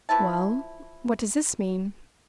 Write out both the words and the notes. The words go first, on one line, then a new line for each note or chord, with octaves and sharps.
'Well? what does this mean?'
E3 F3 E4 A5